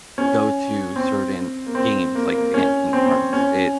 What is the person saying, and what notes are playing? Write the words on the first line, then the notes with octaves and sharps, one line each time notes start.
go to certain games, like, again, Kingdom Hearts, it
C#4
C4
A#3
C4
A#3
A#3
C#4
C4
C4
C#4